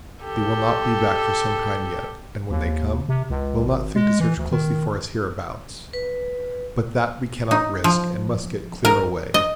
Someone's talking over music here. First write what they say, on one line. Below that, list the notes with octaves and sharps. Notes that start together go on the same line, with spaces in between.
They will not be back for some time yet, and, when they come, will not think to search closely for us hereabouts; but that we cannot risk, and must get clear away.
G4 A4
D#2
C3
C#2
G#1
G#3
E3
D2
D#3
B4
D#4
F3
A#4
D#5